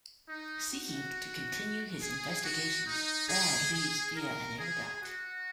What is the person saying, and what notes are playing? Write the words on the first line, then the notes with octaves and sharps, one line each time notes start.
Seeking to continue his investigations, Brad leaves via an air duct.
D#4
F#4
G#4
F#4
D#4
G#4
G#4
A#4
G#4
F#4